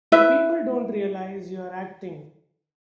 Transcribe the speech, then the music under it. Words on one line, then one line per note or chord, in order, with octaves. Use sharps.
People don't realize you're acting.
E4 B4 E5